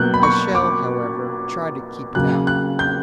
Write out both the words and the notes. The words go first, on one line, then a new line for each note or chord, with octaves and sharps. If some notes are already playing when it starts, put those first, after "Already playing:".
I shall, however, try to keep it out.
Already playing: B2 F#3 A#3 F#6 G6
B5
C#6
D6
C#3 F#3 A#3 F#6
F#6
G6